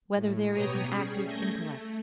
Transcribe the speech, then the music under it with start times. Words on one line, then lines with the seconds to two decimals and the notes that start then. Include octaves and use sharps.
Whether There Is an Active Intellect?
0.13 A2
0.49 B2 B3 G4 C#5 A#5 D#6
0.85 G3 C#4 G#4
1.21 A3 G6 G#6 A#6
1.59 A3